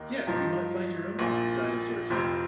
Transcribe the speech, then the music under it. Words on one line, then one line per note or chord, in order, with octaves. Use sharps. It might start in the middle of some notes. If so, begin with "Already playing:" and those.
Yeah. You might find your own dinosaur tooth.
Already playing: D#2 D#3 A#3 D#4
G2 F3 D#4 G4
A#1 A#2 F3
F1 F2 F3 C4 G4